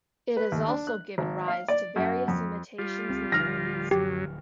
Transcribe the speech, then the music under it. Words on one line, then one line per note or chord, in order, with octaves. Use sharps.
It has also given rise to various imitations and parodies.
B4
D#2
D4
F#6
G#1
F5
D5
F#2
F2
G3 F4
C#2 C4
D1 D3 F3 F6 A#6
F#2 F#3 G4